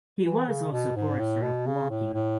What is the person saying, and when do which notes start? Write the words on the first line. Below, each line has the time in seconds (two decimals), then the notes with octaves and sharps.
He was also Forester of Woking.
0.24 E3
0.48 C#3
0.72 B2
0.96 G#2
1.19 A2
1.42 B2
1.67 C#3
1.90 A2
2.14 A2